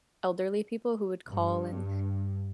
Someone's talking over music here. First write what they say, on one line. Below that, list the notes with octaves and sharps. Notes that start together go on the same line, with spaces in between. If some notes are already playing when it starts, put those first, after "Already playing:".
elderly people who would call and
G2